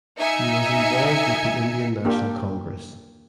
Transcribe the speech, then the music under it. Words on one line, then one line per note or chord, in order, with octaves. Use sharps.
He was involved with the Indian National Congress.
D#4 E5 G#5 C#7
A#3 D4 G4